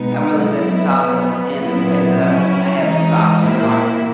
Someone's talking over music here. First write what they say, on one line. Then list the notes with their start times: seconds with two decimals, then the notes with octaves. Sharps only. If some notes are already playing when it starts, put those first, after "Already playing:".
I'm really good at the tacos, and the b and the I have the soft or the hard,
Already playing: B2 G#3 B3 D#4
0.39 B2 F#3 B3 E4
0.99 B2 F#3 B3
1.59 A#2 F#3 B3 E4
2.19 C#3 F#3 C#4 E4
2.79 E3 G#3 D#4
3.40 A#2 A#3 E4